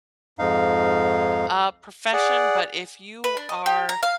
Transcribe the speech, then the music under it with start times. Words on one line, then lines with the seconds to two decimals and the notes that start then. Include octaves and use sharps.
uh, profession, but if you are,
0.39 F2 G#2 D#4 F5
2.13 G#4 D5 F#5
3.24 B4
3.37 D4
3.49 D#5
3.66 G4
3.89 A#5
4.03 F5